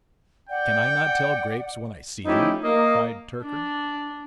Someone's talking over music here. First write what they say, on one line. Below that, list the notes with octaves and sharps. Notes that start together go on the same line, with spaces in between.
"Can I not tell grapes when I see them?" cried Tyrker.
D5 F#5 G5
F3 A3 C#4 D#4 E4 G4
A#3 D#5
D4